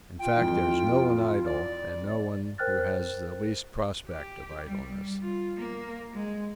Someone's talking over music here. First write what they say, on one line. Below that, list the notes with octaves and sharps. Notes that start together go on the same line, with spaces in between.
In fact there is no one idle, and no one who has the least prospect of idleness.
F4 G5
F2 E3
D5
A#4 C5 G5 F6 F#6 A6
G4
G3
F4
A#3
G#3